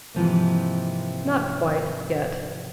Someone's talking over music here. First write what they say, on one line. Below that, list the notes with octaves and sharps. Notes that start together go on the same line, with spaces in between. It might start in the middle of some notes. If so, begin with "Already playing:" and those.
'Not quite, yet.
G#2 C3 E3 F3 G#3 A#3